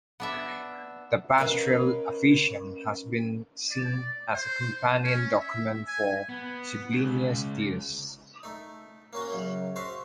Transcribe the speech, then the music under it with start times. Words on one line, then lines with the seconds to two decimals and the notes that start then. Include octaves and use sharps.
The "Pastorale Officium" has been seen as a companion document for "Sublimis Deus".
0.20 B3 D4 E5
1.38 C#4 A#4 B4 D#5 F5
3.72 D5
4.34 C5
5.03 C#4
5.40 E5
5.87 G#5
6.29 B3
6.93 C#2
8.43 A3 D#4
9.13 A#3 C#4 F#4
9.32 F#2 C#3
9.76 F#4 C5 E5 F5